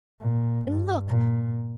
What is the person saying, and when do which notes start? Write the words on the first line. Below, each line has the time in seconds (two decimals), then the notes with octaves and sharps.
And look!
0.21 A#2
0.69 G2
1.08 A#2